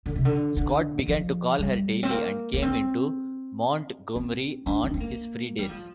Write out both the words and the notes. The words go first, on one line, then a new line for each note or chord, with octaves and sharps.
Scott began to call her daily, and came into Montgomery on his free days.
D3
C3
D3
D3
F3
G3
C4
A#3
A#3
C4
C4
D4
C4
C4
A#3
G3
F3